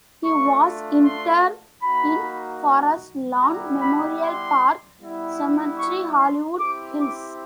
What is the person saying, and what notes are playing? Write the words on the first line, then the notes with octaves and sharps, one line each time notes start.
He was interred in Forest Lawn Memorial Park Cemetery, Hollywood Hills.
A3 D4 F4 C#6
C6
A#3 D#4 F#4 B5
G3 B3 E4 G4 A#5
B5
C6
G3 B3 E4
C#6
C6
C4 E4 G4 D6
D6